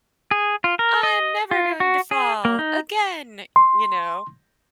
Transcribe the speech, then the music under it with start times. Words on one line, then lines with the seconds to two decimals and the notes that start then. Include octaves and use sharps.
"I'm never going to fall again." You know?
0.31 G#4
0.64 F4
0.79 A#4
1.03 D#5
1.51 F4
1.80 F#4
2.11 G#4
2.45 A#3
2.59 D#4
3.56 C6